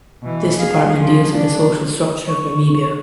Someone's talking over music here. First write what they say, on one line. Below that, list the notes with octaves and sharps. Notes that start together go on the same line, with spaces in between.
This department deals with the social structure of Namibia.
B2 E3
G#4 F5
C#3 F3
D4
C#6